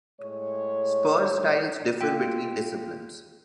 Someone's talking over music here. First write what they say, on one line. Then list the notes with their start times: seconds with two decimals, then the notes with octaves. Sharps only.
Spur styles differ between disciplines.
0.21 A2 G#3 C#5
2.01 A#3 F4 G5